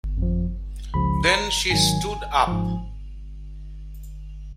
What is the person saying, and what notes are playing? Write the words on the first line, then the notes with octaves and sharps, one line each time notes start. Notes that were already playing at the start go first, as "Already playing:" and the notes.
Then she stood up.
F2 F3
C#2 C#3 F3 B5
B5
A#5
G#2 D#3 F#3 G#5
G#2 F3